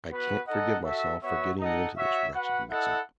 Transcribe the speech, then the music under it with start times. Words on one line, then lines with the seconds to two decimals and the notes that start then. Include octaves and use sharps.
"I can't forgive myself for getting you into this wretched mix-up."
0.10 B3 F#4 B4
0.48 D#4 A4 D#5 F#5
0.85 F#4 A4 E5
1.22 B3 F#4 C#5 E5
1.59 D#4 A4 D#5 F#5
1.96 F#4 C#5 E5
2.33 F#4 B4 F#5
2.70 E4 A4 D#5 F#5